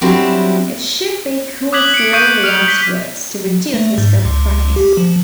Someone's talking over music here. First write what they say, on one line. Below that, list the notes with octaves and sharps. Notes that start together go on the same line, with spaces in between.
It should be cooled slowly afterwards, to reduce risk of cracking.
F#3 G3 C4 D4 E4 F#4
D6 D#6 F#6 G#6 B6 F#7
C#7 D7
C#6 D#6 G6 D7 D#7
F6 F7 F#7
B6 G7
A3
G#2
C#2
G4
F3